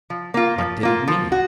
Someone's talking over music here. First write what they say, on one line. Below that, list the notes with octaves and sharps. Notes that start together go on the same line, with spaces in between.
What did it mean?
F3
A#3 F4
F3
A#3 F4
F3
F#4